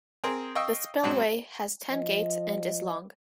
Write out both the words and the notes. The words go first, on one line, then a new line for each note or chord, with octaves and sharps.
The spillway has ten gates and is long.
C4 G#4 A#4 C5
D#5 F5 G5 C#6 D#6 E6
G#2 F#3 C4 D#4
F3 D#5